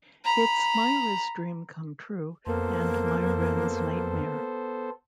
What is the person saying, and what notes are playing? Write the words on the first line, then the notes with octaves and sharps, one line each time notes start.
It's Myra's dream come true, and Myron's nightmare.
A#5 B5
F2 A#3 B3 A4 C5